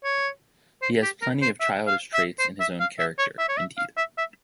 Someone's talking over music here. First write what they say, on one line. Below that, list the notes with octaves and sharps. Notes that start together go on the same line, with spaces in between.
He has plenty of childish traits in his own character, indeed.
C#5
C5
G4
A#4
C5
E5
F5
E5
C5
E5
F5
E5
C#5
E5
C#5
E5
F5
E5
E5